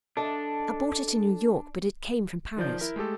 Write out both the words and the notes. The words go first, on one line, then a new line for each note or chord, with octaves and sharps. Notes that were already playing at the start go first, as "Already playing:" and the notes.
I bought it in New York, but it came from Paris.
D4 A4 D#5
D#3 F3 D5 G6
E4 A#4
G#3 A3 G4 A4